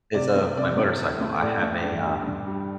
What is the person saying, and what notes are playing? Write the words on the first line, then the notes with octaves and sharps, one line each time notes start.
is of my motorcycle. I have a, um
C3 D5
A3
C3 D5
A3
A2
A3
A2 D5
A3
G2 D5
G3
G2
G3